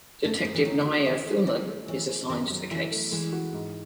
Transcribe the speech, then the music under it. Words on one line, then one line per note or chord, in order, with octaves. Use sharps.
Detective Naia Thulin is assigned to the case.
F#2 A3
B3
G#3 D#4
E3
D#3 C#5
F#4
E3 D#5
G#4
D#3 E4
A3
E3 C#5
G#4
F#2 D#3
F#3
E3 E4
A3
E3 G#3
F#4
G#2